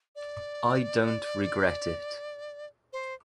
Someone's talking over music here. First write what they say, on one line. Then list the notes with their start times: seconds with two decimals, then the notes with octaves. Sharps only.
I don't regret it.
0.16 D5
2.93 C5